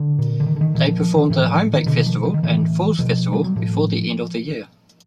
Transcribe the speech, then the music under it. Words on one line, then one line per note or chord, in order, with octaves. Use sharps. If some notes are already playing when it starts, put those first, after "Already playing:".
They performed the Homebake Festival and Falls Festival before the end of the year.
Already playing: D3
A#2
D3
D#3
D3
D#3
A#2 E3
F3
F3
D#3
A2 E3
F3
D#3
B2 D3
D#3
F3
F3
D#3
A2 E3
B2 F3
G3
F#3
A2 F3